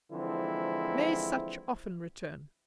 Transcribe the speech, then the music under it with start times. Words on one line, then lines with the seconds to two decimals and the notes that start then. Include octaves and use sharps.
May such often return.
0.12 D3 E3 F3 G#3 C4 E4